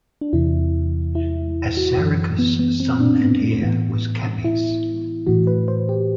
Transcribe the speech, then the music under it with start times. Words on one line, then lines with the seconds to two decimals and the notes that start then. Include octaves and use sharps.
Assaracus' son and heir was Capys.
0.21 D4
0.33 E2 C3 E3 E4
1.15 E4
1.77 F#4
1.98 F#2 E3
2.39 B3
2.59 B3
2.80 C4
3.00 D4
3.21 B3
3.41 A3
3.62 A2 E3 B3
4.44 E4
5.27 A2 E3 F#4
5.47 B4
5.68 C5
5.89 G4